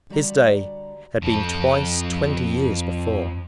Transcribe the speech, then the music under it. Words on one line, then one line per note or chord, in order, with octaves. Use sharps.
His day had been twice twenty years before.
D3 G3 F#4 D5 F5 A#5
F2 A4